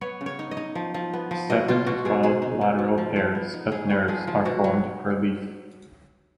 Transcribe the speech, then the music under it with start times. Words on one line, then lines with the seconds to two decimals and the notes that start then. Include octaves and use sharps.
Seven to twelve lateral pairs of nerves are formed per leaf.
0.01 B3 C#5
0.21 C#3
0.26 C#5
0.39 D#4
0.51 D#5
0.57 D#4
0.75 F3
0.94 F3
1.13 B3
1.31 F3
1.50 B2 D#5
1.68 B2 F4
1.86 B2 F#4
2.05 B2 G#4
2.23 B2 G#4
2.42 D#4
2.61 B2
2.79 B2
2.98 F3
3.16 F3
3.35 B3
3.54 D#4
3.71 D#4 G#4
3.90 B3
4.08 F3 G#4
4.27 F3
4.45 B2 F#4
4.64 F#3